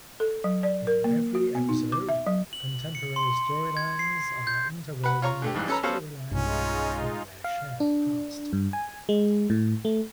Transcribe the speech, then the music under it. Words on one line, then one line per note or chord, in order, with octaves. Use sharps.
In every episode, contemporary storylines are interwoven with a storyline from their shared past.
A4
F#3
D5
A#4
A#3
F#4
B3
D#4
D6
E5
F#3
F#7
C#7
C6
G#6
C7
G6
B4 F#5 B5
F4 C#5 A#5 C#6
D3 A3 G4
F2 G#2 E3 G3
C#4 A4 B4 A#5
B3 C#4 F#4 A4 C5 F5
B1 G2 G#3 C#4 D#4 F4
F5
D4
G2
G#5
G#3
A2
A3